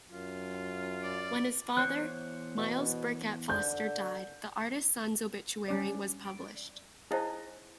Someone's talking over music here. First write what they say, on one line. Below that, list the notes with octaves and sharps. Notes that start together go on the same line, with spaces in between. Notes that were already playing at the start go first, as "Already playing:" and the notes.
When his father, Myles Birket Foster died, the artist son's obituary was published.
F#2 F4
D5
E2 C5 C#5 F#6
B2
D3 G6
G3 C#4 D5
D#4 E4 G#4 C5 D#5 F5